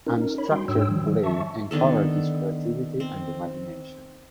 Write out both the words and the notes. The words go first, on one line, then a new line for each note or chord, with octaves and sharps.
Unstructured play encourages creativity and imagination.
C#4 D#4 A#4
C#5 B5
G3 F#4 G5 C6
G#2 D4 C#5 G5 E6
D#3 F3 G3
E5 A5 C#6
D3 D#3 B3 A4
C4